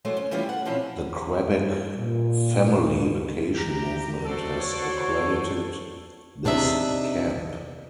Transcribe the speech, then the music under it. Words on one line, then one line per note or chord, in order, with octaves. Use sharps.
The Quebec Family Vacation Movement has accredited this camp.
E3 F#3 G#3 A3 E4 C5
C#4
E3 G3 C#4 E4 F4 G4
F#5
A#2 F3 C4 C#4 E4
G2
A#2
G#2
G4 A#5
F#4 A4 C5 D5
A4 C#5
C3 D4 D#4 E5